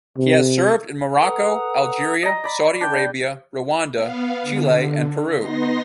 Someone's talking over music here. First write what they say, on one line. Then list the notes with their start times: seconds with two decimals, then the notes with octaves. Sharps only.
He has served in Morocco, Algeria, Saudi Arabia, Rwanda, Chile and Peru.
0.18 C3
1.20 A4 B4 F#5 A#5 D#6
2.23 D#5 A#5
2.44 D5 B5
2.81 D4 G5
3.95 B3 F5
4.42 D3
5.36 B3 D#4 C6 A#6